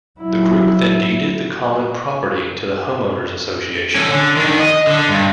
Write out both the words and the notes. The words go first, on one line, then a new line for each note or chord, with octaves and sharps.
The group then deeded the common property to the homeowners association.
F#3 E4
C#4 A4
D3
D#3 D4
D#5
D3
G2